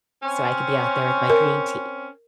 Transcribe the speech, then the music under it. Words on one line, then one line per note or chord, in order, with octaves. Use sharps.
with, so I could be out there with my green tea.
C4 C#4
A#4